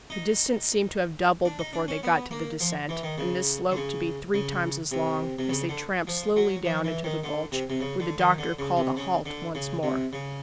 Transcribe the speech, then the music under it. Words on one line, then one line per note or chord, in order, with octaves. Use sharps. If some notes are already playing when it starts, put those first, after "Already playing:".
The distance seemed to have doubled before they got to the descent, and this slope to be three times as long, as they tramped slowly down into the gulch, where the doctor called a halt once more.
D#4
D4
D#4
D4
C#4
B3
A#3
F3
E3
D#3
C#3
D3
C#3
C#3
C3
C3
C#3
D3
F3
F#3
F3
E3
D#3
D3
C3
C3
C#3
D3
D#3
D3
C#3
C3
C#3
D3
C#3
C3
C#3